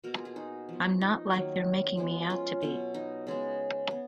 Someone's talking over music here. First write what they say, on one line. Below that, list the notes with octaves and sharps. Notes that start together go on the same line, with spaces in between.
I'm not like they're making me out to be.
B2 A#3 F#4 A#4
F4 G#4
F4 G#4
D#4 F#4
F3 B3
D#4
D#3 F#3 A#3
F3 G#3 B3
C#4 F4
B2 F#3 B3
D#4
C#3 G#3 B3
B3